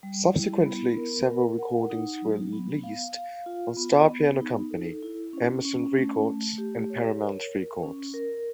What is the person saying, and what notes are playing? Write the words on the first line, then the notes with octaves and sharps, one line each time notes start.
Subsequently, several recordings were leased from Star Piano Company, Emerson Records, and Paramount Records.
G3
E4
B3
A#4
A#4
F#5
D#4
F#3
B3
F5
F5
F4
B3
B3
D#4
A4
E4
C#4
C#4
A3
A3
G4
C#5
A#4
A#4
C#4
A#4